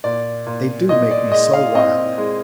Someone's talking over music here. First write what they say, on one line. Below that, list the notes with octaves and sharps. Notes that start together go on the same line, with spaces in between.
They do make me so wild.
A#2 D5
A#2
A#2 D#5
D5
G#3 D#5
F5
C4 D#5
G#3